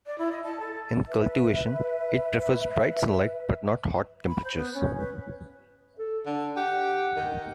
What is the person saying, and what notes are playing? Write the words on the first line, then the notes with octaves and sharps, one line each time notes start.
In cultivation, it prefers bright sunlight but not hot temperatures.
D5
E4
D#5
A5
A4
B4 E5
B5
C5
B3
C#4
B4
A4
D3 D4
G4 F#5
D#3